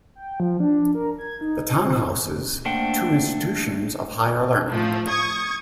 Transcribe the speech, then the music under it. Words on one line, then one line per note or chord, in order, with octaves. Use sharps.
The town houses two institutions of higher learning.
G5
F3
D4
A#4
G#6
D#4
C4
A3 A#3 D4 C5 F#5 G5
A2 F3 A3
C#6 D#6 G#6